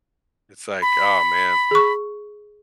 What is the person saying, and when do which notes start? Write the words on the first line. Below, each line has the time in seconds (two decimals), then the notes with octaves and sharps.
It's, like, oh, man,
0.82 B5
1.71 G#4 C#6